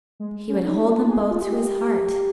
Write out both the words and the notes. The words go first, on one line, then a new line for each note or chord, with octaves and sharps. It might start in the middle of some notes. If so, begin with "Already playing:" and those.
He would hold them both to his heart.
G#3
C#4
D#4
F4
G#4
G#4
F4
G4